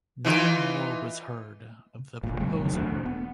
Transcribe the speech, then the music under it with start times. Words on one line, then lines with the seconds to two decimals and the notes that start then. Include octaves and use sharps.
No more was heard of the proposal.
0.25 E3 D#4 F4
2.23 G1 A#2
2.39 E1 C#3 F#3 G#3
2.61 F#1 F2 G#2 D#3
2.73 E1 D2
3.06 B3